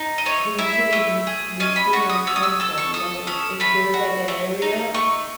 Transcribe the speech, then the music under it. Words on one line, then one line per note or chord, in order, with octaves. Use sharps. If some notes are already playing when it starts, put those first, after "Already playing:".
do usually these these students come from?" Like, if there's, like, an area,
Already playing: D#4
D#5
A3 C#5
E4 E5
A3
G#4
C#4 D#5
B5
F#4 C#6
D#6
C#4 E6
D#6
E6
A4 E6
C#6
A4 D#6
C#4 D#6
A3 B5
F#4
A3
D#4
A3 C#6